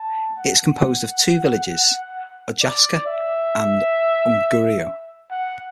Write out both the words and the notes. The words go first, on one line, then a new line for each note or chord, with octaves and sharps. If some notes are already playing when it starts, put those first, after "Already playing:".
It is composed of two villages, Ojasca and Unguriu.
Already playing: A5
F#5
D5
E5
F#5